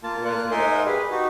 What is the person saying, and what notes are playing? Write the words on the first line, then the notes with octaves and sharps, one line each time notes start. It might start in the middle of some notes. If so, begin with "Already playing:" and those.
Was it a
A#3 F4 A5
A#3 F4 F#6
D#4 A#4 E5 G#5 C6
G4 G#4 B4
D#4 F#4 G4